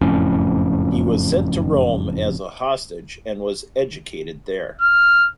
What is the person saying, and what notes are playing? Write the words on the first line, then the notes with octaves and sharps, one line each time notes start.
He was sent to Rome as a hostage and was educated there.
F#1 F2 A2 C#4
F6